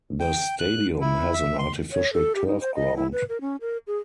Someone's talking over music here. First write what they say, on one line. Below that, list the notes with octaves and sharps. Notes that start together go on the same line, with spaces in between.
The stadium has an artificial turf ground.
G5
F#6
E4
E5
C6
C#5
A4
G4
D#4
C5
D#5
E4
B4
A#4
C#4
A#4
G#4